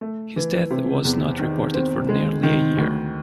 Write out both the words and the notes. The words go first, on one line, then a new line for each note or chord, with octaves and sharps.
His death was not reported for nearly a year.
A3
E3
C3
E2
D#3
C4
G#3
D#3
D2